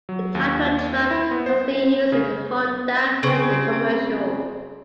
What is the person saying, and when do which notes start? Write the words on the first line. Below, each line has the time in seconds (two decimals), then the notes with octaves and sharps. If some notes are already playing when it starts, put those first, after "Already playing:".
The title track has been used in a Honda Civic commercial.
0.09 F#3
0.35 D#2
1.11 E4
1.31 B3
1.46 C5
2.12 C#3
3.23 C#3 C4